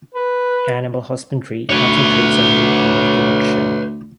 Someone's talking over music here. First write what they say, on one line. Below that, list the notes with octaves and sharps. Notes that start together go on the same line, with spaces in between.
Animal husbandry concentrates on meat and milk production.
B4
D2 B4 C#5